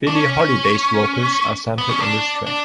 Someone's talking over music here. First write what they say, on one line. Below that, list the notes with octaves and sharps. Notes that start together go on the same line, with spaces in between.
Billie Holiday's vocals are sampled in this track.
D4
C#4
B3
C#4
D4
D4